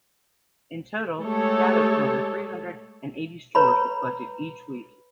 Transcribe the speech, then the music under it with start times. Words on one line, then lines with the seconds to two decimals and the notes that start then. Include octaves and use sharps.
In total, data from over three-hundred and eighty stores are collected each week.
1.21 G#3 A3 G4 A4 C#5
3.55 B4 C#5 A#5 B5